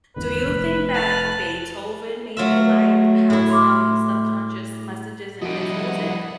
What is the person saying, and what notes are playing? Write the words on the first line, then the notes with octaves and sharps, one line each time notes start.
Do you think that Beethoven maybe like had some subconscious messages in his music?
G#1 E2 D3 B4
F1
A5 F6 F#6
F#3 A3 F4 E5
A2 E4
C6 D6 F6
F3 G3 D4 E4 F#4 D#5 F#5 D7